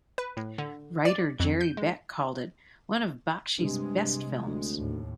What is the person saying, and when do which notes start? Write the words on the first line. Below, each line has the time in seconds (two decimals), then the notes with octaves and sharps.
Writer Jerry Beck called it "one of Bakshi's best films".
0.18 B4
0.37 A2
0.58 D3
1.05 D5
1.40 F2
1.61 G6
1.77 G#3
3.58 G2 C3 G#3
4.46 D2
4.77 D#2 A2